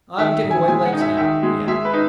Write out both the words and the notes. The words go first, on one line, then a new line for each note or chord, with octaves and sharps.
"I am giving away lakes now," he added.
D#3 E5
E1
G#5
G#3 G#5
F#5
D#4
E5
D#3 E5
G#3
G#3 E5
B4
D#4